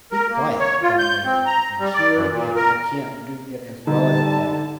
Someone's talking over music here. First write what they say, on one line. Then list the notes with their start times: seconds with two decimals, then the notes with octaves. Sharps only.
Be quiet, down there, and hear if I can't do it as well as daddy.'
0.12 A#4
0.29 A#3
0.59 C#5
0.83 F4
0.99 G6
1.25 C4
1.46 A#5
1.79 G3
1.94 D5
2.14 F#2
2.30 A#2
2.56 A#4
3.87 D3 G3 D#4 A5